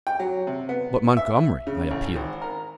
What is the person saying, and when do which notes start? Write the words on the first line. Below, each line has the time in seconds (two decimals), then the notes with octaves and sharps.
"But, Montgomery," I appealed.
0.07 G5
0.20 F#3
0.47 C3
0.69 B3
1.17 E5
1.67 C#3
1.91 A1
2.16 G#1
2.42 A#4